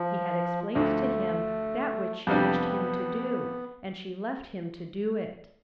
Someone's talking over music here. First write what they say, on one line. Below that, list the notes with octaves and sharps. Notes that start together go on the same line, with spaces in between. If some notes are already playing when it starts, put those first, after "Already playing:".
She had explained to him that which she wished him to do, and she left him to do it.
Already playing: F3
D2 D3 F3 A3
F2 C3 G3 B3 D4 G4